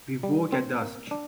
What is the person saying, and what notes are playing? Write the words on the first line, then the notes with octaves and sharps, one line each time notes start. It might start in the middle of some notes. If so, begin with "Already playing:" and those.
We woke at dusk.
G3
C4
A#3
D4